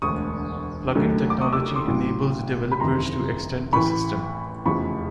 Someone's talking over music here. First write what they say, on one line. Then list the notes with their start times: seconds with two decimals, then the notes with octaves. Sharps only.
Plugin technology enables developers to extend the system.
0.02 E1 D2 D3 C#6 D#6
0.95 D#2 D3 F#3 A3
1.30 D6
1.41 C#6 D#6
1.53 D6 E6
1.76 C6 D6
1.87 A1 A2 F#3
2.72 B5
2.80 F#1 E2 C3 D#3 A#5 C6
3.73 A1 A2 E3 B5 C#6
4.66 F1 E2 C#3 F3 B5 C#6